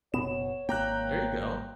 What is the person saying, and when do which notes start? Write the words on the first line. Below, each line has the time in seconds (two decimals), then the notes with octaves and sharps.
There you go.
0.14 F#1 B2 B3 C#5 E7
0.69 G#1 A#3 G5 A#5 F#6